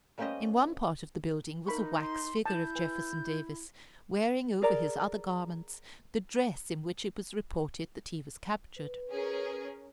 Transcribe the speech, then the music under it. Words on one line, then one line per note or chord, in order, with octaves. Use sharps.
In one part of the building was a wax figure of Jefferson Davis, wearing over his other garments the dress in which it was reported that he was captured.
G3 A#3 C#4 G4 C5 D#5
D#4 A#4 B5 C#6
C6
E4 A5 G6
B4 G#5
G#4 A#4 D5 A#5
B4
C#4 G#4 A#4